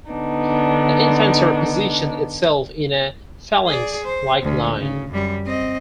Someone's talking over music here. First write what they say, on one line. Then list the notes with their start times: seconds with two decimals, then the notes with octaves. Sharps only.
The infantry positioned itself in a phalanx-like line.
0.11 D3 B3 D4 D#4
3.67 G#4 D5
4.04 C5
4.42 D2
4.78 C#3
5.11 F#2 G3
5.45 C4 D#5